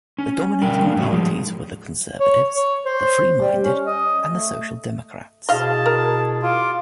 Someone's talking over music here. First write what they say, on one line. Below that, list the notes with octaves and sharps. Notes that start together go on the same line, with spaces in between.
The dominating parties were the conservatives, the freeminded and the social democrats.
C#4
D3 G3 A#4 G5
A#3 D4
A2 G3 F#4
F3 G#3
C#5
C#5
C5
G3
C#4
D#5
A3
B2 E4 G#4 D#5 F5 A5
A#4
F4 D6